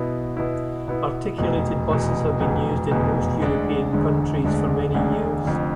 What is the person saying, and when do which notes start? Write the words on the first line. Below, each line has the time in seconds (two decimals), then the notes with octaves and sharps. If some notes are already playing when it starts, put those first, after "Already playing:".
Articulated buses have been used in most European countries for many years.
Already playing: B2 B3 E4
0.37 B2 B3 E4
0.88 B2 B3 E4
1.38 F1 E2 B2
1.89 F1 E2 B2
2.40 F1 E2 B2
2.91 F1 E2 B2
3.42 E1 D2 D3 G#3 D4
3.93 E1 D2 D3 G#3 D4
4.44 E1 D2 D3 G#3 D4
4.94 E1 D2 D3 G#3 D4
5.45 F1 F2 D3